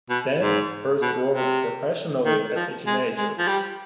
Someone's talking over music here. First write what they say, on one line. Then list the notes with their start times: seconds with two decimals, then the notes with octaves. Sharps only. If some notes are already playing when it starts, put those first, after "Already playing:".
Tan's first wrote professionally as a teenager.
0.10 B2
0.40 G#2
1.02 B2
1.33 C3
2.25 D#3
2.56 F3
2.87 G#3
3.18 G#3
3.39 F3
3.48 G3